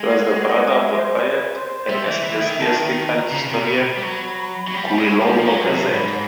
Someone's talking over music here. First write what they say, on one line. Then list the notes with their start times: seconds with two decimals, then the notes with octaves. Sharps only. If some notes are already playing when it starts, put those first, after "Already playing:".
He was the brother of the poet and ecclesiastical historian Guillaume Gazet.
Already playing: G#3
0.11 F#5
0.46 F#5
0.70 E5
0.94 C5
1.17 B4
1.53 C5
1.88 G3 E5
2.06 E3
2.24 E3
2.42 D#3
2.60 D#3 A5
2.96 A5
3.14 A#5
3.31 C#3 A#5
3.50 C3
3.61 A#2
3.66 B2 B5
3.98 G3
4.03 F#3
4.68 F#3
4.74 G3
4.88 G3
4.98 G#3
5.21 G3
5.37 F3
5.45 F#3 A#5
5.69 C3 A5
5.93 G#2 B5